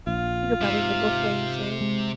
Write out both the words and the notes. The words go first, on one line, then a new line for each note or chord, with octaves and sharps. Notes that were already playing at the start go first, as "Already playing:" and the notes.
You could probably go both ways, right?
A#1 F4
G#2 C3
G#3